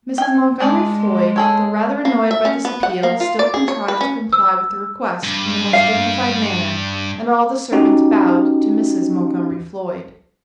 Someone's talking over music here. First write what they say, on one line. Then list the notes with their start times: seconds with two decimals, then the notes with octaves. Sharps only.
Mrs. Montgomery Floyd, though rather annoyed by this appeal, still contrived to comply with the request in the most dignified manner; and all the servants bowed to Mrs. Montgomery Floyd.
0.18 G5 G#5
0.60 G#3 D4 G#4 D5
1.36 G#4 A4 C#5
2.05 A#3
2.31 E5
2.45 C#4
2.65 B3
2.83 F#5
3.03 A#3
3.20 F4
3.39 D5
3.54 G#4
3.68 C#5
3.88 B4
4.01 C#4
4.33 E6
5.24 G2
5.73 F5
7.72 C#4 D#4 F#4 G4